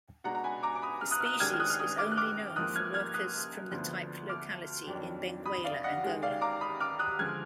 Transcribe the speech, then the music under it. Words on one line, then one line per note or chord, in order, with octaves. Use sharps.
The species is only known from workers from the type locality in Benguela, Angola.
B2 G#3 D4 F#5 A#5
A#5
G#5 B5
A#5 D6
D6
B5 D#6
F6
D#6 F#6
F6
D#6 F#6
D#2 D#3 G#3 D4 F6 G#6
F6
D#6 F#6
F6
D#6 F#6
D6 F6
F#6
D6 F6
G#2 F3 A#3 D#6 F#6
F6 G#6
F6 G#6
D#6 F#6
D2 D3 F3 B3 D4
D6 F6
F2 D#3 F#3 D4
B5 D#6
D5 F5
D#5 F#5
D#2 D#3 G#3
D5 F5
A#5 D6
B5 D#6
D6 F6
D#6 F#6
D3 F3 G#3 F6 G#6